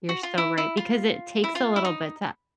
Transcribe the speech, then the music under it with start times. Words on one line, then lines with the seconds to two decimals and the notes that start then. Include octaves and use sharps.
You're so right, because it takes a little bit to
0.09 F#4
0.23 F4
0.38 E4
0.58 E4
0.77 F4
1.44 E4
1.55 F4
1.76 E4
1.85 D#4